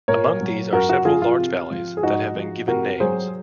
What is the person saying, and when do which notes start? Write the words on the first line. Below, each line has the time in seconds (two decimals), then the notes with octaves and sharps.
Among these are several large valleys that have been given names.
0.08 A#2 A#4 C#5
0.41 F#3
0.73 F#2 F#4 A#4
0.89 F#4 A#4
1.05 F3 F4 G#4
1.22 F4
1.38 C3
1.71 F3
1.97 G#4
2.03 G#2 D#4 F#4
2.35 F3
2.68 C3 F#4 A#4
3.00 F#3 G#4 C5